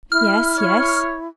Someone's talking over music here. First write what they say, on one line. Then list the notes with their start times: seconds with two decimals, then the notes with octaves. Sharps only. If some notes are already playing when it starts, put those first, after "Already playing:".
"Yes, yes!"
0.12 E4 F6
0.58 C#5